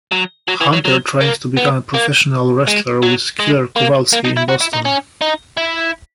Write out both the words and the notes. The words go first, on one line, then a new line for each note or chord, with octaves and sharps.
Hunter trained to become a professional wrestler with Killer Kowalski in Boston.
F#3
F#3
E3
F#3
F#3
A#3
B3
A#3
G#3
F#3
G#3
A#3
A#3
D#4
E4
F#4
E4
D#4
C#4
D#4
E4